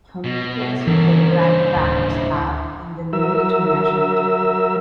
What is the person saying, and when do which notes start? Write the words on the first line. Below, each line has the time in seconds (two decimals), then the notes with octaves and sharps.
For many years he played right back for Start and the Norwegian national team.
0.24 B2
0.56 A2
0.87 G2 C#3 E3 A#4
1.31 C5
1.76 D1
2.10 E4
3.13 F#3 A#4 E5 E6